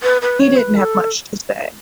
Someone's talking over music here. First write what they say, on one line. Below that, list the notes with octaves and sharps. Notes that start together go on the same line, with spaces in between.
He didn't have much to say.
B4
B4
C#5
B4
A4